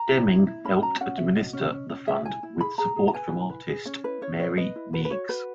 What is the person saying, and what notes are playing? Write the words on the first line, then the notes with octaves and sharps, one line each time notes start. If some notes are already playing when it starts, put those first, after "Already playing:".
Deming helped administer the Fund, with support from artist Mary Meigs.
Already playing: A#5
E4
E4
E4
C#4 B5
F#4 A#5
C#4 F#5
F#4 E5
C#4 D#5
C#4
C#4
C#4
G#4 E5
E4 G#5
E4
G#4 B5
G#4 A#5
G#4
A#5
B4 G#5
E4
B4
G#4
C#4 C#5
E4 B4
C#4 C#5
B4 C#5
B4 D#5
E4
F#4 B4
B4
F#4 C#5
F#4 B4